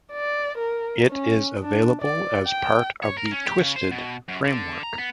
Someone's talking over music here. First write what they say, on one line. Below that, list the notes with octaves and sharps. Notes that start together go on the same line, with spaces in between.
It is available as part of the Twisted framework.
D5
A#4
C#4
D4
D5
G5
C#5
A#4
C#4
G4
C#3
C5
B2
F#2
D3
A#5
B3